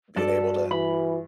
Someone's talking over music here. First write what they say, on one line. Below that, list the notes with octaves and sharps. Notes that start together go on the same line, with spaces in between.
being able to
G2 F#4 A4 D5
E3 B5